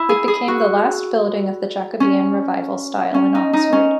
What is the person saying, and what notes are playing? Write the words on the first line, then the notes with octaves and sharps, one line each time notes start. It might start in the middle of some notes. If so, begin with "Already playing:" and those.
It became the last building of the Jacobean revival style in Oxford.
Already playing: E4
G#4
G#4
F#4
C#4
C#4
D#4
D#4
C#4